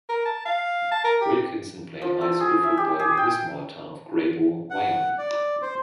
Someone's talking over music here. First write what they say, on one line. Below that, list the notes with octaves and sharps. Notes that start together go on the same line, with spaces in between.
Wilkinson played high school football in the small town of Greybull, Wyoming.
A#4
A5
F5
A5
A#4
G4
F3
A4
G#4
E5
G4
G#4
G5
F#5
D5
C5